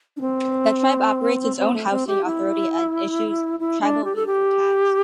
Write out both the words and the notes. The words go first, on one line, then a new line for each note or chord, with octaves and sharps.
The tribe operates its own housing authority and issues tribal vehicle tags.
D4
C4
C4
A3
C4
G4
E4
E4
D4
G4
A4
G4